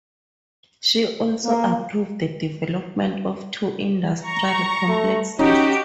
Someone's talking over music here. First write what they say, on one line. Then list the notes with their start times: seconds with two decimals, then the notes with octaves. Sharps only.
She also approved the development of two industrial complexes.
1.45 A#3
4.24 A#5 C#6
4.88 A3
5.39 C#4 D#4 F#4 G4